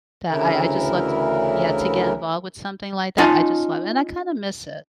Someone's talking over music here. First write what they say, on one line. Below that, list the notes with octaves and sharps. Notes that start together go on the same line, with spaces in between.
that I I, just, love to yeah, to get involved with something like that. I just love it, and I kinda miss it
D2 C#3 E3 E4 A#4
C#4 D#4 F4 D#5 A5